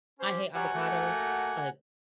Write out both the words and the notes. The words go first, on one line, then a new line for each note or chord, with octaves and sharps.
I hate avocados, uh
C#4 G4 C5
F#3 G3 F#5 G#5
A3 A#3 F#4